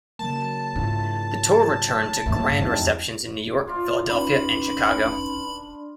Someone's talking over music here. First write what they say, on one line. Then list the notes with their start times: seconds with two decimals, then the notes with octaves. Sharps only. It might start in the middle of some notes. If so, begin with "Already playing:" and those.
The tour returned to grand receptions in New York, Philadelphia, and Chicago.
0.19 C#3 F#3 A#3 A5
0.76 G#2 D4 E4 F4
1.32 F#3
2.26 G2 A3 A#3 D4 E5
2.58 F2 D#4 E4 G4
3.67 F4 D5
4.10 C#4 D#4 B4 B5
5.00 D4